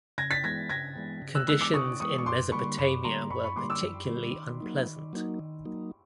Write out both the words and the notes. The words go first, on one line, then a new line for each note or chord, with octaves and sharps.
Conditions in Mesopotamia were particularly unpleasant.
C#3 G#6 A#6
A6 B6
E3 G#3 B3 G#6 A#6
C#3 G#6 A#6
E3 G#3 B3
C#3
E6 F#6
E3 G#3 B3 E6 F#6
D6 E6
C#3 C#6 D#6
E3 G#3 B3 C#6 D#6
C#6
F#2 C6 D6
D3 G3 A#3 B5 C#6
F#2 B5 C#6
D3 G3 A#3 A#5 C6
F#2 B5 C#6
B5 C#6
D3 G3 A#3 C6 D6
D6 E6
F#2
D3 G3 A#3
D#3
F#3 A#3 D#4
D#3
F#3 A#3 D#4
D#3
F#3 A#3 D#4